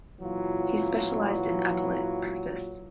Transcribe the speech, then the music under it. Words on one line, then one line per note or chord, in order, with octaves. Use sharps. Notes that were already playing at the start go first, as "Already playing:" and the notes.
He specialized in appellate practice.
A#2 E3 F#3 F4